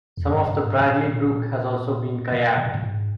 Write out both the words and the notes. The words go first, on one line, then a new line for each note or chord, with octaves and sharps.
Some of the Bradley brook has also been kayaked.
E2
G2
G2
G#2
G#2
A#2
A#2
A#2
B2
A#2
G#2
A#2
G#2